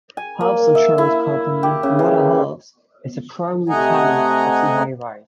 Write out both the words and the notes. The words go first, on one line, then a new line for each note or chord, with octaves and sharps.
Health insurance company Moda Health is the primary tenant of the high-rise.
G#5
A#3
E5
E4
G4
C#3
E3
C3 A3 D#5 F#5 G#5 A#5